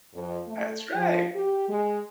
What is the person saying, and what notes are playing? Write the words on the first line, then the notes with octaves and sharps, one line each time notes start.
That's right.
F2
A3
F3
G4
G#3